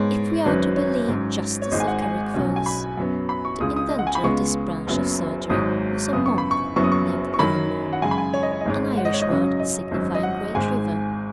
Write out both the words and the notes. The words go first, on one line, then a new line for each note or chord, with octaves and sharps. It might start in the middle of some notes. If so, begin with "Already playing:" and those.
If we are to believe Justus of Carrickfergus, the inventor of this branch of surgery was a monk named Avonmore--an Irish word signifying Great River.
Already playing: G#2 G#3 B3 C#5
G#1 F#2 F#3 C#4 B4
C#5
G#2 F#3 C#4
C#5
G#1 G#2 G#3 D#5
G#5
F#5
G#5
B1 B2 F#3 C#4
G#5
B5
F#2 F#3 B3
B5
C#6
C#2 C#3 G#3 D#6
D#6
D#5
F#5
G#5
B5
C#2 C#3 G#3 B3 C#6
F#1 F#2 F#3 B3
G#1 G#2 F#3 D#6
F#2 C#3 B3 D#6
C#6
B5
C#6
F#1 F#2 F#3 B3 C#6
D#6
C#6
C#6
F#2 D#3 F#3 C#4 B5
F#5
F#2 C#3 G#3 G#5
B5
G#5
C#5
D#5
C#5
D#5
G#1 G#2 G#3 C#5
F#5
D#5
C#5
D#5
F#2 C#3 F#3 C#4
D#5
G#1 F#2 F#3
D#5
F#5
G#1 G#2 G#3 G#5